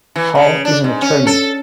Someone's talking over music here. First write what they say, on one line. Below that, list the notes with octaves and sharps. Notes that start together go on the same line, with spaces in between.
Hall is an attorney.
E3
C#3
D4
G#2
C#4
A4